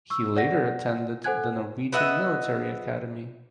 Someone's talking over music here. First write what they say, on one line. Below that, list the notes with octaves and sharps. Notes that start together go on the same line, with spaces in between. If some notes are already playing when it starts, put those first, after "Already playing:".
He later attended the Norwegian Military Academy.
C#6 E6
D5 F#5 A#6
A4 C5 F#5 G#5 F#6 G#6
B3 D#5 E5 F#5